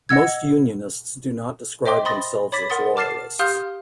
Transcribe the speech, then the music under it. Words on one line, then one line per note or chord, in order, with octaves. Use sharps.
Most unionists do not describe themselves as loyalists.
D#5 F#5 E6 G#6
C5 D#5 E5 G5 C6 D6
B5 C6 D#6 A6 A#6
C#5 B5 D6 A6 B6
A#4 F#5 C6 D#6 A6
A5 D6 F6 A6 C7 E7
G4 F5 C6 D#6 F6 G6